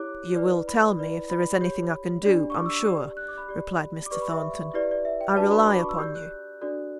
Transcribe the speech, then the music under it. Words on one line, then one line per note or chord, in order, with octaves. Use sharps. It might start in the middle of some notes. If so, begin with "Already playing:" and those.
'You will tell me, if there is anything I can do, I'm sure,' replied Mr. Thornton. 'I rely upon you.'
Already playing: E4 G4 C#5 D6 F#6
E4 B4 D5
B5
E4 B4 D5
B5
G4 C#5
D4 G4 D5
C#6
D6
E6
G4 D5
F#6
D6
B5
G4 D5
D6
G4 B4 D5 C#6
B5
E5
E4 G4 B4 D5
D5
E5
G5
D4 F#4 B4 D5 A5
B5
D6
B5
C#6
E6
G4 D5 G6
F#6
D4 F#4 A4 D5